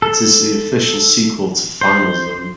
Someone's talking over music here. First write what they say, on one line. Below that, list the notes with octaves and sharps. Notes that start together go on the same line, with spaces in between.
It is the official sequel to "Final Zone".
A4
C5